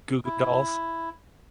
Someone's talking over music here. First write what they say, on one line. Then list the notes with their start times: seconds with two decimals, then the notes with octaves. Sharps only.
Goo Goo dolls.
0.25 E4